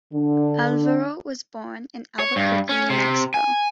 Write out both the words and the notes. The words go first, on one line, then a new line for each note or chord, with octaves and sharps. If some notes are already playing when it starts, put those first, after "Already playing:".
Alvaro was born in Albuquerque, New Mexico.
D3 D4
C#5
G2
C#4
C3
G#5